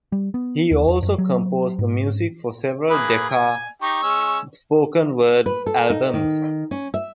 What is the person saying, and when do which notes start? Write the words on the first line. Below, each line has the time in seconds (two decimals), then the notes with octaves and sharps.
He also composed the music for several Decca spoken word albums.
0.12 G3
0.34 B3
0.71 D#2
0.88 E2
1.03 F#2
1.18 F#3
1.79 G#2
2.90 A#3 G#4 B4
3.29 G#5
3.82 D#4 G4 C#6
4.02 G#3 C#4 E6
5.46 B4
5.66 A4
5.90 D#4
6.14 D#3
6.71 C#4
6.94 E5